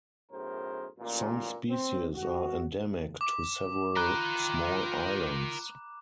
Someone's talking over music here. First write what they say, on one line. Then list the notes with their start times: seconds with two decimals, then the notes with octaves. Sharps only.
Some species are endemic to several small islands.
0.32 B1 F#2 A2 G#4 A#4 C5
0.98 A1 A#2
1.69 C4
2.15 F#4
3.21 D6
3.96 F4 A#4 G5 A#5 B5 F#6